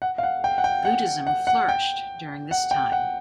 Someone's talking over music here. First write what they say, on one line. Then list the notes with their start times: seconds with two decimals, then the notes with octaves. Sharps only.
Buddhism flourished during this time.
0.02 F#5
0.18 F5
0.23 F#5
0.44 G5
0.58 F#5
0.64 G5
0.85 F#5
1.27 F#5
1.47 F#5
1.68 G5
2.51 F#5
2.71 G5
2.92 F#5